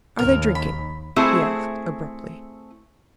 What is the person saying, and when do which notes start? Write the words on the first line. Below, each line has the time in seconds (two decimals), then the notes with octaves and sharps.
"Are they drinking?" he asked abruptly.
0.19 D#2 A#4
0.55 B5
1.16 A3 C4 E4 G#4